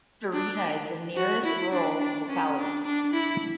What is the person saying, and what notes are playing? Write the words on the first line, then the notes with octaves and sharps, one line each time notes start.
Starina is the nearest rural locality.
D4
F#4
E4
D4
D4
C#4
D4
D4
E4